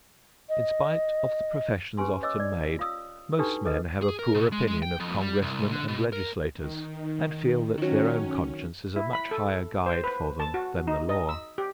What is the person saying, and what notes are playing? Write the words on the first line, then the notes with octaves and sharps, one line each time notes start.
In spite of the professions often made, most men have a poor opinion of congressmen and legislators, and feel that their own conscience is a much higher guide for them than the law.
D#5
C#4 G4 B4 G#5 C6
C#5 D#5 D6 E6
D5
F4 F5 D#6 E6
D4 D#4 F#4 G4 A4 B4
G#4 A4 B4 D#5
G#4
A#4
B2
G#3
G#3
G5
F2
G3
C2
D3
B2
A#4
D#3
D#3 F#3 C#4
E4
B5
A4
C5
B4
A5
F#4
D#4
D#5
E6
G4